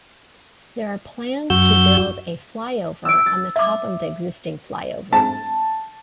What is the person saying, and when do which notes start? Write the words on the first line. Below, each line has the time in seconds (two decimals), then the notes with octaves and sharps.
There are plans to build a flyover on top of the existing flyover.
1.50 F#2 F#4 E6 G6
3.05 E6 D7
3.26 A6
3.56 E5 D6
5.13 A5